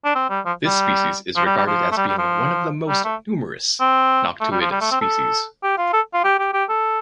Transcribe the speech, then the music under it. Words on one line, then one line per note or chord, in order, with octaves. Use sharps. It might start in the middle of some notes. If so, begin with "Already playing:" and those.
This species is regarded as being one of the most numerous noctuid species.
D4
C4
G3
F3
G3
F3
G3
G3
F3
A3
G3
G3
F3
G3
A3
C4
A3
G3
F3
G3
A3
C4
A4
G4
F4
A4
F4
G4
G4
G4
A4